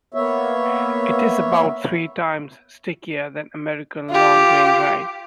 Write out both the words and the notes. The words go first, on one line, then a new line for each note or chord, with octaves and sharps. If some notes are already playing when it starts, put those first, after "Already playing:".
It is about three times stickier than American long-grain rice.
A#3 B3 C#5 E5
F4 G4